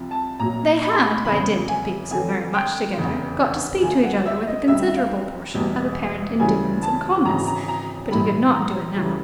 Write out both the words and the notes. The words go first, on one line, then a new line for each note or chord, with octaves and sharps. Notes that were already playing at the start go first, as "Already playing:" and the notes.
They had by dint of being so very much together, got to speak to each other with a considerable portion of apparent indifference and calmness; but he could not do it now.
Already playing: C2 C3 F3
A5
A#1 A#2 F#3 A#5
B5
C6
B5
F1 E2 C#3 B5
G#5
F2 D3 F#3 G#5
G5
F1 E2 C#3
D2 D3 F3 G#5
F#5
E5
D#5
C2 C3 D#3 G3 E5
E5
F5
E1 E2 B2 G3
D2 C#3 E3 G3 G#5
A5
G#1 F#2 C#3 E3 A#5
A#5
A#5
A#1 G#2 E3 G3 B5
A#5
D2 C#3 E3 G3